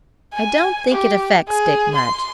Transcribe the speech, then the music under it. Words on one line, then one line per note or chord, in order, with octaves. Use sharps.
'I don't think it affects Dick much.
G#5
G4
G#4
C6